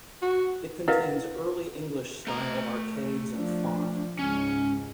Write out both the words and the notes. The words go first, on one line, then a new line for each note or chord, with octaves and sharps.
It contains Early English style arcades and font.
F#4
E4 A#4 B4 D#5 F5 F#5
A3 A#5
F3 D4
C#2 G#2 C#4